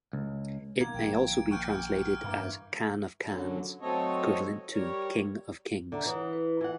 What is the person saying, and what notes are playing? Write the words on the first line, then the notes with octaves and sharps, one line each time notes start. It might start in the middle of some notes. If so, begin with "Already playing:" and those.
It may also be translated as Khan of Khans, equivalent to King of Kings.
C#2
B2 D#3 A#3 G#6
A#1 D#3 G5
D7
F#5 G#5 C#6 D6 F6 G6
F6
G2 E3 A#3 D4
F#2 D3 F#3
F#3 A3 C4 A4 C#5 D#5
G3 A#4 C#5
D3 E5 F#5 A#5
E3 C#5 F#5 D#6
B4
E3 F#5